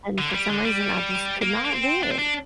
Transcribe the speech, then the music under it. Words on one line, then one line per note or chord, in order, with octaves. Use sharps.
and for some reason, I just could not do it,
D3
A#3
G3
D3
G3
A#3
A#3
C4
D4
C4
D4